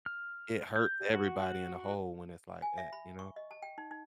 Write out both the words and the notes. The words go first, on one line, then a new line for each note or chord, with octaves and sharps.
it hurts everybody in a whole when it's like that, you know?
F6
G6
F#4
G#5
E5
B5
C#6
D#5
A5
G5
D#4
D#4